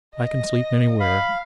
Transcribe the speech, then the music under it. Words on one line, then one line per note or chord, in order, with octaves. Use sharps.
'I can sleep anywhere.
D#5
F5 B5